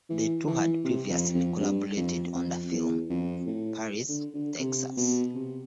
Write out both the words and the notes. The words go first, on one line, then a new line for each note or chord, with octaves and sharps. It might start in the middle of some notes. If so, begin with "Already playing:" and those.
The two had previously collaborated on the film "Paris, Texas".
E3
E3
C3
F2
F2
G2
F2
F2
E2
F2
A2
D3
D3
C3
B2
C3